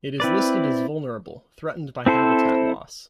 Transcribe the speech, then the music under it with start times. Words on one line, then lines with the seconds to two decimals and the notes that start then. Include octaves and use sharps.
It is listed as vulnerable, threatened by habitat loss.
0.20 C4 E4 B4 D5
2.06 C4 E4 A4 C5